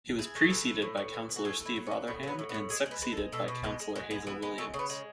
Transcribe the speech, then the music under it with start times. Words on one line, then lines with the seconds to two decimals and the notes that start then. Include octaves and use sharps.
He was preceded by Councillor Steve Rotherham and succeeded by Councillor Hazel Williams.
0.19 E3 G#4
0.35 A3
0.50 E3
0.66 A3
0.82 A2
0.97 A2
1.14 E3
1.29 E3
1.36 F#4
1.45 A3 G#4
1.60 A3
1.66 E4
1.76 F#3
1.87 C#4
1.91 F#3
2.07 A2 B3
2.23 F#3 B3
2.39 A2
2.49 B3
2.54 A2
2.70 G#3 G#4
2.86 G#3
2.91 B4
3.01 G#3 B4
3.12 A4
3.17 G#3
3.32 B2 A4
3.48 B2
3.64 G#3 B3
3.80 G#3
3.96 G#3 F#4
4.11 G#3 B3
4.27 E3 B3
4.42 G#3 B3
4.58 C#3 A3
4.74 C#3
4.79 B3
4.90 G#3